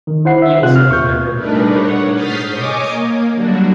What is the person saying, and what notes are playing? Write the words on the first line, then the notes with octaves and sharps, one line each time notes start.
He also was a member of the Board of Education in Yonkers.
D#3
E4 C5 F#5 C7
E5
C3 C4 F4 F#6
F6
D#2 C#6 G6
G3 A3 D4 D#4 A#4 B4
C#5 F#5
D#6 F6 G6 A6 B6 C7
C#5 D#5 G#5 D6 D#6
A#3
D3 F#3 G3 D4 F#4